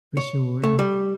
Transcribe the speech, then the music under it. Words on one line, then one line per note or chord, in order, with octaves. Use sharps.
For sure.
C#5
A3
G3